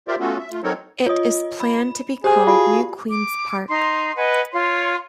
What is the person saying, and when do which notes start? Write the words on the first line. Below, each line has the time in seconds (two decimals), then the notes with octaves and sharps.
It is planned to be called New Queens Park.
0.08 F4 G4 A#4 C5 D5 E5
0.20 A3 B3 C#4 F4 F#4 A4
0.38 E5
0.51 A3 F4
0.64 F#3 C4 D#4 A4 A#4 C#5
1.06 F4 C#5 D#5 D#6
1.60 B5
2.24 G4 G#4 C5 G#5
2.47 F4 F#4 D5 F5 A5
3.10 D6
3.69 D#4 A#5 C6
4.16 B4 D#5 F#5 G#5
4.52 F4 C#5 C6